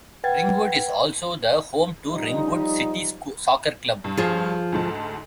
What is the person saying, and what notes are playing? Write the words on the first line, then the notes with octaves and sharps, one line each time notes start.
Ringwood is also the home to Ringwood City Soccer Club.
B4 F#5 G5 G#6 A6
F3 G3 D#4
G2
F3 F4 G#4
D2 G#2 A5